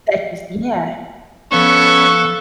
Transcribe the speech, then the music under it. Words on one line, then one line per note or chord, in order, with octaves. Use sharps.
That's just Yeah.
F3 B3 C#4 A4 F5 C#6 F#6